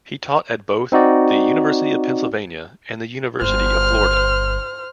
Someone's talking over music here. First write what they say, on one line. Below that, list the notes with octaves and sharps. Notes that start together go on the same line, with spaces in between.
He taught at both the University of Pennsylvania and the University of Florida.
C4 D#4 F#4 D5
G1 C5 F6